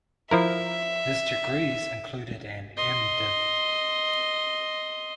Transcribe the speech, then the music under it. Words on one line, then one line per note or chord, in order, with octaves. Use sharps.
His degrees included an M. Div.
F3 E4 A#4 E5
D#5 C6